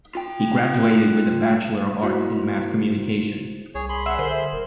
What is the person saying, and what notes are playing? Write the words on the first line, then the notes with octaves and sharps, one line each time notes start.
He graduated with a Bachelor of Arts in Mass Communication.
F4 G5
A#3 E4 F#4 C5
C2 G#4 C#5
G#4 B5 C6
E5 F#5
D3 A#4 C5
E5
D#1 A#4